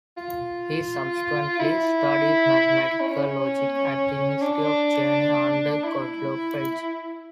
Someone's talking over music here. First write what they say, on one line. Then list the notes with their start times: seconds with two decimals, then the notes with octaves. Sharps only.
He subsequently studied mathematical logic at the University of Jena under Gottlob Frege.
0.17 F4
1.59 E4
3.00 C#4
4.41 D4
5.84 E4